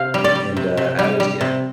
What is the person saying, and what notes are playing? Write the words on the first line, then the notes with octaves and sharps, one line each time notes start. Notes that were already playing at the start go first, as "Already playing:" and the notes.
And, uh, I always get
Already playing: C3 F5
G3
D5
G3
C3
C3
G3
G3
C3